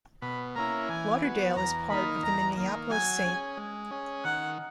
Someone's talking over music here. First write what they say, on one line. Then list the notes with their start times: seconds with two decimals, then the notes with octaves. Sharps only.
Lauderdale is part of the Minneapolis-St.
0.22 B2 B5
0.55 A#3 C#4 E4 A#5
0.89 E3 G#5
1.23 B3 F#4
1.56 E2 A#5
1.90 D#3 A#3 D#4 B5
2.23 E2 A#5
2.57 D#3 A#3
2.90 F#3 G#5
3.25 C#4 G#4
3.57 G#3
3.91 C#4 G#4
4.24 D#3 F#5